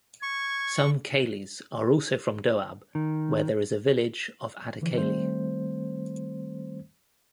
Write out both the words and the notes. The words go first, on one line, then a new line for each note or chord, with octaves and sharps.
Some Kaileys are also from Doab where there is a village of Ada-Kailey.
C#6 G#6
D#3
D3 E3 F3
D#3 G3 A3 C4 C5